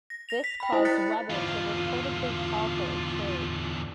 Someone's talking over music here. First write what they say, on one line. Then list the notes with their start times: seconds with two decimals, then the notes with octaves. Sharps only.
This caused Webber to reportedly call for a trade.
0.10 A#6
0.29 A#6 F7
0.44 B6
0.60 G5 B5
0.72 E4 C5 D#5
0.85 F#6 A6 B6 C#7
1.30 E2 D3 F4